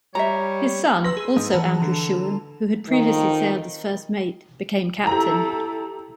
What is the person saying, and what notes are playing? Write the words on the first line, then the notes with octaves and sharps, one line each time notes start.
His son, also Andrew Shewan, who had previously sailed as first mate, became captain.
G3 C#5 E5 A#5
B4 C6 E6 A#6
G#4
G#2 D#6
E3 F#5 A5 A#5
D3
F2 D#3
E4 G4 A4 A#5